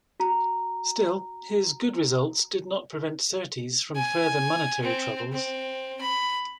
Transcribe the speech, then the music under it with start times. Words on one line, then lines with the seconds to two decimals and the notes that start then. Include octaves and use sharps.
Still, his good results did not prevent Surtees from further monetary troubles.
0.20 F#4 A#5
3.96 G#5
4.83 C4
5.33 C4
6.01 B5